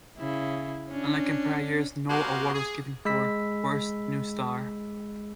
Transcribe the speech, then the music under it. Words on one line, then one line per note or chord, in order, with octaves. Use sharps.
Unlike in prior years, no award was given for Worst New Star.
C#3 E4
C#4 D4
G#3 B3 F#4 G4 A#4 F5
G#4
G#3 B5 E6 B6